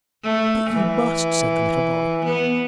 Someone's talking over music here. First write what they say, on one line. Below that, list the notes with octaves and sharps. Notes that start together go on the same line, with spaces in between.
"But you must!" said the little boy.
A3
E3
B3